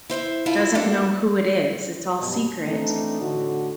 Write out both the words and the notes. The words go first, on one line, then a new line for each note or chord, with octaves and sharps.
doesn't know who it is, it's all secret,
E4 C5 D#5 E5
E4 F4 A4
A3 A#3 D4 F#4 A4
G2 B2
E3 A3 C4 D4 D#4
A2 D3 F#4